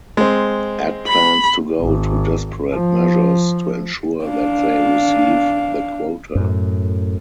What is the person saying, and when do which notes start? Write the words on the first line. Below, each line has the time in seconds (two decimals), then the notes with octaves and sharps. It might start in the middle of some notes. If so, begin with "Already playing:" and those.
Ed plans to go to desperate measures to ensure that they receive the quota.
0.17 G#3 C4
1.08 B5
1.81 G#1
2.73 F3
4.25 D4 F5
6.35 F#2 A2